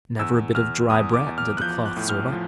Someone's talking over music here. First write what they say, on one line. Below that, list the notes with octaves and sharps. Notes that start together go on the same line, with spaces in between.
But never a bit of dry bread did the cloth serve up.
E2 E6
E2 F6
E2 D#6
D6
E2
F6
F#6
F3 G6
F#6
A2
F6
F3